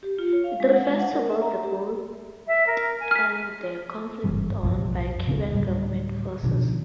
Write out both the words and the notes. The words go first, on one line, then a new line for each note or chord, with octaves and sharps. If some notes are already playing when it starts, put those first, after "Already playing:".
It refers to both the boat and the conflict won by Cuban government forces.
G4
F4
C#5
F5
G#3
F#5
G#3
F#5
A#4
E5
A#5
G4
E5
A#4
G#5
F6 B6
G1 G#2 E3 G3
B1 F#2 A2 F3
D1 C#3 C#4
D2 A2 G3
B2 D3 D#3 F3